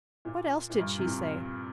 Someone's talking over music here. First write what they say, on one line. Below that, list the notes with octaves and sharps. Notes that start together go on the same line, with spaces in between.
"What else did she say?"
A#2
A#2
G2
C3
A#2